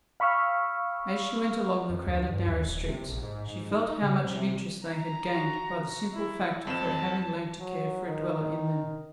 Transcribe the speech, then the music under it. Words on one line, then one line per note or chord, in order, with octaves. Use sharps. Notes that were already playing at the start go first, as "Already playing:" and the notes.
As she went along the crowded narrow streets, she felt how much of interest they had gained by the simple fact of her having learnt to care for a dweller in them.
F5 B5 C#6 E6 F6
F2
D2
G2
D#2
D#1
C3
A#1
G#2
G#2
D#4
C#3
C3
A#5
F#4
E4
F2 C4 A5 E7
F#3
D#3